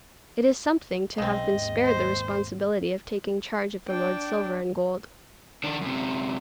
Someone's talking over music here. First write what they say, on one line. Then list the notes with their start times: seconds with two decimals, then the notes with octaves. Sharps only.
It is something to have been spared the responsibility of taking charge of the Lord's silver and gold.
1.18 B1 C#3 C4 D#5
1.52 G#1 D#2
1.84 C5
3.90 D4 G5
5.64 D#3 D4
5.81 F#2 C3